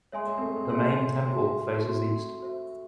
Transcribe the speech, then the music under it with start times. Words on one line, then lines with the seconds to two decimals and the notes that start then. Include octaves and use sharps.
The main temple faces east.
0.12 G#3 C#5 E5 G#5 C6
0.27 G#3
0.38 C4
0.41 A3
0.56 G#3
0.65 C4
0.70 A3 C#5 E5 G#5 C6
1.27 F#4 C5 E5 C6
1.76 A3
1.83 C4 F#4 C5 E5 C6
2.41 F#4 C5 E5